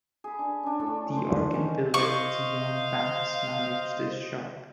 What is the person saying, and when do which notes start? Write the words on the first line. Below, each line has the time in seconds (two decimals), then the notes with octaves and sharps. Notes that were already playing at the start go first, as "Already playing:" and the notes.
The organ builder Guillaume Bax managed this shop.
0.24 G#4 B5
0.39 D4 G#5
0.63 C#4 D4
0.80 A2 A4
1.17 C5
1.52 D3 D#3 C#4
1.94 C5 D#5 F5 C#6